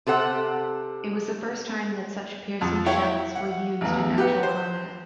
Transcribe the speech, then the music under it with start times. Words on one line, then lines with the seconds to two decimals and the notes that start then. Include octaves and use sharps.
It was the first time that such piercing shells were used in actual combat.
0.07 C3 A4 C5 F#5
2.61 F2
2.86 E4 C#5 G5
3.35 F#5
3.81 A1 E2
4.18 G4 B4 F#5
4.43 C5